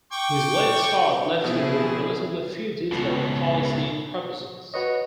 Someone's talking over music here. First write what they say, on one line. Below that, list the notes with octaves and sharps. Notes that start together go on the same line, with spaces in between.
His late start left him with relatively few detailed policy proposals.
G5 C#6 D6
B2 F3 B3 C4 E4 G#4
C#2 B2
F#4 B4 C#5 D#5